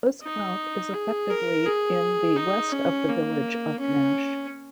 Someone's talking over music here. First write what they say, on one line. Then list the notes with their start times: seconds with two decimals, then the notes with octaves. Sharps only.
Uskmouth is effectively in the west of the village of Nash.
0.23 D#4
0.94 G#4
1.30 A#4
1.66 G#4
2.37 D#4
2.72 C#4
3.09 A#3
3.80 C#4